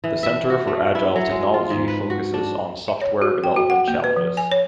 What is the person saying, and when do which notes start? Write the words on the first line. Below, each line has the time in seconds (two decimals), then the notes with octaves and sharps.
The Center for Agile Technology focuses on software development challenges.
0.04 E3
0.23 E5
0.50 F#4
0.67 A3
0.95 E4
1.16 F#3
1.31 G#3
1.54 F4
1.70 G#2
1.88 B4
2.10 F#4
2.34 D4
2.88 E5
3.01 C#5
3.22 F#4
3.44 G5
3.56 F#4
3.70 F#5
3.88 A#3
4.04 B4
4.16 F3
4.37 G#5
4.52 C#5